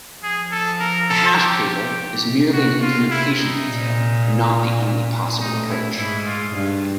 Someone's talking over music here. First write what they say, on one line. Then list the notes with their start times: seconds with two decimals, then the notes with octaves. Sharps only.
A hash table is merely an implementation detail and not the only possible approach.
0.23 F3 G#4
0.51 A4
0.80 A#4
1.09 A4
1.37 G4
2.24 C3
2.53 C3 F#4
2.81 F4
3.10 E4
3.39 D#4
3.68 A#2
5.40 A2 D#4
5.69 E4
5.98 G#2 E4
6.26 F4
6.55 G2